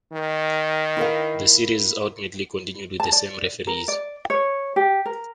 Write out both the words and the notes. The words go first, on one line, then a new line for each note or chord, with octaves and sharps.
The series ultimately continued with the same referees.
D#3
E4 A#4 F5
A5
D5
A#4
D5
C#5
G4
A#4